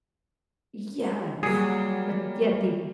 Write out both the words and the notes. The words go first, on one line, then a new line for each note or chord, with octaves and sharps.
Yes, but yet they
F#3 G3 A#3 G#4